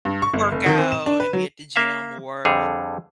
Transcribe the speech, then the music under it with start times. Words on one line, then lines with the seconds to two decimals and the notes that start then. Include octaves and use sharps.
work out and be at the gym more,
0.05 G2
0.22 C#6
0.33 G1
0.52 F1
0.66 D#3
0.78 C4
0.92 E7
1.06 D4
1.20 B4
1.33 F#3
1.76 A#3 E5 F5
2.45 F2 D3 G3 G#4 C#5